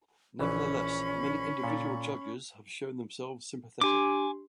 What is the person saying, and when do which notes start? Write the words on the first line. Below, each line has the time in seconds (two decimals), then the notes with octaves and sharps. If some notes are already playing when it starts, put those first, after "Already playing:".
Nevertheless, many individual judges have shown themselves sympathetic.
0.39 A#1 E3 C#4 B5 C#6
1.64 A#2 A4
3.81 D4 G4 G#5 C6 D6